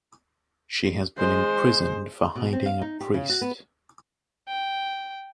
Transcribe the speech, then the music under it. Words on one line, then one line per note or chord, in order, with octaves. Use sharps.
She had been imprisoned for hiding a priest.
G#3 C5
B2
C4
F5
D#4
G4
C#3
F#4
B3
G5